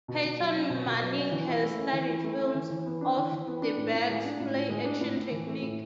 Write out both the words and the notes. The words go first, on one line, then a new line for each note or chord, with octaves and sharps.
Peyton Manning has studied films of DeBerg's play-action technique.
B2
B2
F#3
C#4
B2
B2
F#3
C#4
E3
E4
A3
C#4
E3
E4
A3
C#4
E3
E3
B3
D4
E3
E3
B3
D4
A2
A2
G#3
D4
A2
A2
G#3
D4
A2
A2
E3
A3
A2